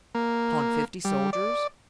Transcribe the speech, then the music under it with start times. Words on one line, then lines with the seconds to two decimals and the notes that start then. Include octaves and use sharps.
"Upon fifty soldiers?"
0.15 A#3
1.05 G3
1.33 D5